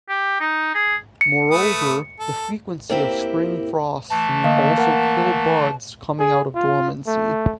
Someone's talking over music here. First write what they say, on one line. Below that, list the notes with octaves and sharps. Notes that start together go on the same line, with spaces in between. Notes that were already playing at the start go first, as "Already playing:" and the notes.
Moreover, the frequency of spring frosts can also kill buds coming out of dormancy.
G4
D#4
G#4
C#7
A3 B4 D#6
A4
A#3 C4 E4 G4
E3 A3 A5
D3 A#3 D#5 F5
A#4 F#5
G#4
F4
A3